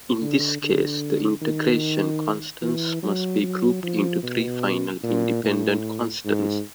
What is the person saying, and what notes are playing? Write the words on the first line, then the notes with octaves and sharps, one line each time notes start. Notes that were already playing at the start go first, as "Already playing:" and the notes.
In this case, the integration constants must be grouped into three final independent constants.
D3
D3
D#3
E3
F#3
F#3
F3
B2
A#2
A2
G#2